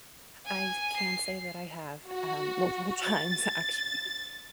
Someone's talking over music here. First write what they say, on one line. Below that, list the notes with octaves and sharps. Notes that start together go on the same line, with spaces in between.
I can say that I have, um, multiple times actually.
G#5
C7
F#4
A6